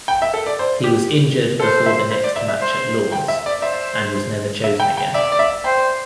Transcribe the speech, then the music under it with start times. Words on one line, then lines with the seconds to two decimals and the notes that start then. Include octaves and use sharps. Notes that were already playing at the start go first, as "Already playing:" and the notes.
He was injured before the next match at Lord's, and was never chosen again.
0.08 G5
0.22 E5
0.34 A4
0.47 D5
0.59 C5
0.84 G4
1.60 A4 C5
1.86 E5
2.11 C5
2.24 D5
2.36 E5
2.48 E5
2.61 C5
3.12 G5
3.28 E5
3.46 D5
3.62 C5 E5
4.64 E5
4.80 G5
4.97 G5
5.14 D5 E5
5.32 D5
5.39 E5
5.64 C5 G5